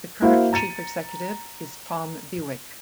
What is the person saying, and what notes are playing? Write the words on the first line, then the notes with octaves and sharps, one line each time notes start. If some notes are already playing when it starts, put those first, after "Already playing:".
The current chief executive is Tom Bewick.
A#3 E4 F#4 C5 F5
A#5 A6 C#7 D#7